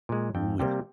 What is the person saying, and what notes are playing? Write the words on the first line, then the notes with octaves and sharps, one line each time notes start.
Ooh, yeah.
A#2 G#3
F2 G5
C3 G3 A#3 G5